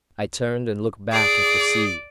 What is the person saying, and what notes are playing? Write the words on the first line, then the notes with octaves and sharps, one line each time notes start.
I turned and looked back at the sea.
G#4 D5